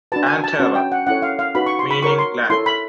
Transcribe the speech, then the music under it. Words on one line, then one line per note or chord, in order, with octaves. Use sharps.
And Terra, meaning land.
D4 F#4 B4 A5
G#5
A5
C#4 F#4 B4 A5
G5
F#5
C#4 E4 A4 C#5 F#5
F5
F5
D#4 F#4 B4 B5
C#6
C6
B5
F#4 A#4 C#5 C#6
C6
E4 A4 C#5 C6
B5